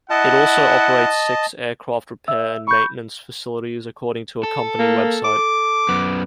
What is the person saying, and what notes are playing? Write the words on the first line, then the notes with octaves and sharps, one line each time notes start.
It also operates six aircraft repair and maintenance facilities, according to a company website.
E4 D#5 F#5 A5
E5 E6
B5 C#6 G6
A4
A#3
D6
F#2 B3